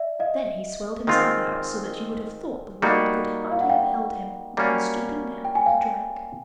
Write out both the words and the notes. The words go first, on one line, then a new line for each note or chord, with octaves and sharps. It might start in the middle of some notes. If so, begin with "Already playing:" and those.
Then he swelled himself out so that you would have thought the world could hardly have held him, and stooping down he drank.
Already playing: D5 E5
D#5 F5
D#3 G#3 C4 F4
G3 A#3 D#4 F#4
F5
F#5
F5 G5
G3 A#3 C#4 F#4
G5
G#5
F5 G5